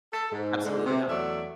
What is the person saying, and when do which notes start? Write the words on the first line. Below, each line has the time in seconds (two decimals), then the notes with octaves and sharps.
Absolutely not.
0.13 A4
0.32 G#2
0.64 G#2 D3 G#3
0.85 C3
1.09 E2 F#3 A3 D5 E5